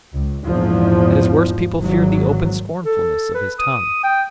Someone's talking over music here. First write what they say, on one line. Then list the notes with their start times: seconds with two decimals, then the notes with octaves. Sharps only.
At his worst people feared the open scornfulness of his tongue.
0.12 C#2
0.44 A#1 E2 G#2 F3 G#3
1.81 G#1 G#2 F#3
2.86 A4
3.35 B4
3.59 D#6
4.03 G5